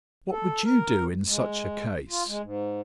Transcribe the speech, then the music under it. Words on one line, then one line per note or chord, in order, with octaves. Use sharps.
What would you do in such a case?
A4
A#4
G#3
F4
G#3
G#2